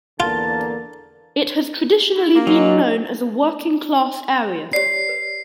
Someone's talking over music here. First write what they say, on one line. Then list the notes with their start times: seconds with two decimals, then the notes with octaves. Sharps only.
It has traditionally been known as a working-class area.
0.20 E2 D3 A#3 F4 A5
2.16 E4
2.35 A#3
2.47 F#3 G#3
4.73 G4 C#5 D5 C7
5.09 B4